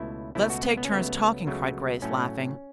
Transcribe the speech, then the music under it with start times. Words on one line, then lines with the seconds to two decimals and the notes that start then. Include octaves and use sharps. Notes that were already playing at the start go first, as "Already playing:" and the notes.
"Let's take turns talking," cried Grace, laughing.
Already playing: C#2 B2 A3 E4
0.35 C#2 B2 A3 E4
0.50 F#4
0.63 B3
0.77 B3
0.85 C#4
0.92 C#2 C#3 F#3 A3 B3
1.47 C#2 C#3 F#3 A3
2.02 A2 F#3 A3 C#4